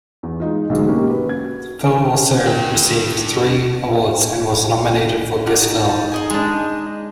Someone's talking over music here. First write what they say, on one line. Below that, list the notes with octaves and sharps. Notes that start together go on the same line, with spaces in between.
The film also received three awards and was nominated for "Best Film".
E2
G#3 D#4 F4
B1 G#2 D3 G#3
A#3 C#4 G4
B4
F#4 G#6
D4 G5
D#4 F#4 D5 F5
A5
G#4 D#5 G#5
G#3 D4